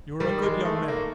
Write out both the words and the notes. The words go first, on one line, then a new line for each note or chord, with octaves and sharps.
You are a good young man.
D#3 G3
G#3
A3
A#3